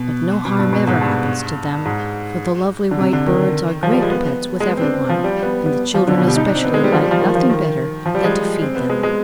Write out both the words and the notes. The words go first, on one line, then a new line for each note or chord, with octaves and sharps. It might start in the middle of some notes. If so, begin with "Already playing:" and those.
But no harm ever happens to them, for the lovely white birds are great pets with every one, and the children especially like nothing better than to feed them.
Already playing: B2
B2
G2
B2
G#2
G2
G#2
D3
C3
D3
D#3
F3
G3
G#3
B3
G#3
B3
C4
D4
C4
F3
G3
B3
B3
F3
D3
B2
G3
D#4
D4
C4
B3
G#3
G3
F3
G3
F3
D#3
F3
D#3
F3
G3
G#3
C4
B3
G#3
G#3